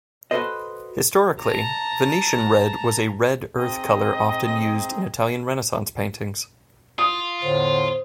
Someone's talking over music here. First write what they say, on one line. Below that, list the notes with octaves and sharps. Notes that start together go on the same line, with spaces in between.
Historically, Venetian red was a red earth color often used in Italian Renaissance paintings.
F#4 A4 B4 C5 D#5
A5 A#5
C4 D#4 G#4 D#5
F4 D#6
E2 A2 D3 C5